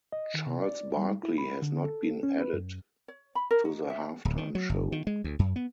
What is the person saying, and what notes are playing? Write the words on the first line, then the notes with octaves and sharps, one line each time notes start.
Charles Barkley has not been added to the halftime show.
D#5
D#3
C3
D5
G3
E4
B5
D3
A4
C#4
B4
F#2
C#5
B5
A#4
D#4
E5
D1
D#3
F#3
G1
D#3
G#3
D2
F#2
B3